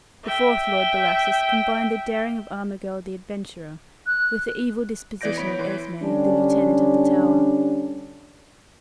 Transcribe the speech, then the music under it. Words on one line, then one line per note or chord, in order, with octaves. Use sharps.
The fourth Lord Bellasis combined the daring of Armigell, the adventurer, with the evil disposition of Esme, the Lieutenant of the Tower.
E5 G5
F#6
E3 B3 D5 G6 A#6 D7
B3 C#5 B5 B6 D7
E3 C6
D3 G3 C#4 D4